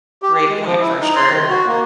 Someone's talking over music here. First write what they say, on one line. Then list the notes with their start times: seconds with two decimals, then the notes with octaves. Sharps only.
great point for sure.
0.22 G4
0.34 G4
0.49 G#3
0.66 F3
0.80 E4
1.01 D#4
1.16 C6
1.29 D#3
1.50 F#4
1.67 A#3